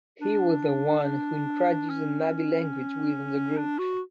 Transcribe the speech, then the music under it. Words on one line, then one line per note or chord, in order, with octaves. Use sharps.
He was the one who introduced the Nabi language within the group.
D4
C#4
D4
F#4